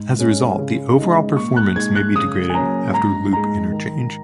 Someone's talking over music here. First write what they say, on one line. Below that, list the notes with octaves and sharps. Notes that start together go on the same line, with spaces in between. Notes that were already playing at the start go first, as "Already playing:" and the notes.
As a result, the overall performance may be degraded after loop interchange.
Already playing: G#2
G#3 C#4
C#3
G#3 D#4
A#2 C#6
F#6
G#3 D#4 G#6
F#6
C#3 D#6
G#5
F#3 A#3 C#4 A#5
G#2 A#5
G#3 D#4 A#5
D#3